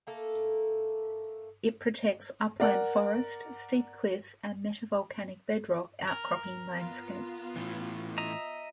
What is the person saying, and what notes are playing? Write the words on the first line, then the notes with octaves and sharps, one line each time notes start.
It protects upland forest, steep cliff and metavolcanic bedrock outcropping landscapes.
A3 A#3 A4
A#4 D5 F#5
A#4
B3 F4
A2 E3
D#5 E5 A#5